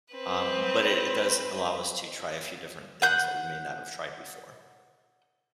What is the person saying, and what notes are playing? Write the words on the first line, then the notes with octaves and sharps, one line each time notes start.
Um, but it it does allow us to try a few different things that we may not have tried before.
C4 B4
F#5 G6